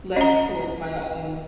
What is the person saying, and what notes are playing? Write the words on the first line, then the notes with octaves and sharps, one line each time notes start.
less towards my own
C#4 D#5 A#5